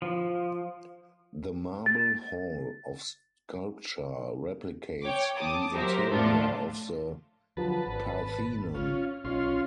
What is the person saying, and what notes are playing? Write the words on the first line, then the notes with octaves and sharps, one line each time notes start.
The marble Hall of Sculpture replicates the interior of the Parthenon.
F3
A6
C#5 G5 D6
A5 D6 D#6
F#3 G4 A#4 C5 E5
A2 F3 A3 D4 F4 A4
D3 F3 F#3 B4 A5
G#1
C#4 F4
B1 C#4 F4 C6